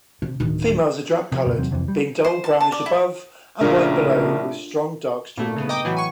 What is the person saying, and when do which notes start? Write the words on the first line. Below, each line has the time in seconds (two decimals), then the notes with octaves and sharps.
Females are drab-coloured, being dull brownish above, and white below with strong dark streaking.
0.22 C3
0.40 D1 D#3
1.32 C3 F3
1.46 C#2 F#2 B2 B3
1.57 E2 C3 F#3 C4
1.71 C2 F2 C3 E3
1.88 G3
2.25 C5
2.44 A5
2.60 A5
2.72 D5
2.86 E4
3.61 A#1 A2 C#3 D4 F4 A#4
5.36 G#1 A#2 A3
5.56 C#3 B3
5.69 D#5 G5 A#5 D6
5.84 A2 E3 F#3 F#4
5.97 G#5 C#6